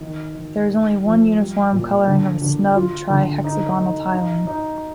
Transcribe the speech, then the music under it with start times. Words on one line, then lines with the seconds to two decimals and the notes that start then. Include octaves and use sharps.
There is only one uniform coloring of a snub trihexagonal tiling.
0.01 D#3
0.35 D#3
0.70 A3
1.04 F3
1.39 G3
1.73 A#2
2.07 D3
2.42 D3
2.76 F4
3.10 D3
3.44 D#4
3.78 D#4
4.12 D#4
4.47 D#4